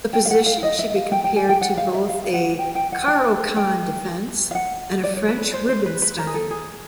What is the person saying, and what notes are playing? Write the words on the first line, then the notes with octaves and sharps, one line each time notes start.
The position should be compared to both a Caro-Kann Defense and a French Rubinstein.
G5
F5
F#5
F5
D#5
E5
F5
G5
G5
G#5
G5
F#5
F5
E5
F5
F5
F#5
G5
G5
F#5
G5
G5
F5
F#5
D5
C#5
B4
B4
C5
C5
B4
B4
A#4
G#4
A4
G#4